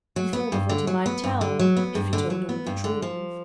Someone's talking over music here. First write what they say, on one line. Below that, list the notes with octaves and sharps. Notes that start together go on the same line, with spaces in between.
He thought of what he might tell--if he told all the truth.
F#3
B3
G2
D3
F#3
B3
G2
D3
F#3
B3
G2
D3
F#3
B3
G2
D3
F3